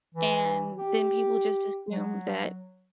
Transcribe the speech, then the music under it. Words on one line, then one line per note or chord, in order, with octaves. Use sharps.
and then people, just, assume that
E3
G4
F#3